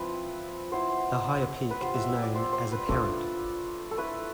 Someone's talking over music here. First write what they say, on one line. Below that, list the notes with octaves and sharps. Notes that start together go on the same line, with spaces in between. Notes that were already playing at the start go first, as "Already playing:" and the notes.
The higher peak is known as a 'parent'.
Already playing: F3 C4 E4 B4
B3 E4 C5
B4
G3 B3 F4 C5
E5
E5
D5
C5
C5
B4
A3 D4 F4 A4
A4
A3 E4 B4